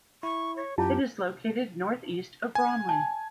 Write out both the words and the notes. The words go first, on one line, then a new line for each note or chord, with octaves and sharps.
It is located north east of Bromley.
E4 C#6
C#5
F#2 E4 F4 G4 A5
G#5
A5